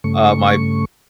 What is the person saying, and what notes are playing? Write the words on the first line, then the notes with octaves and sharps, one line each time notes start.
Uh, my
G2 C#3 A3 C#6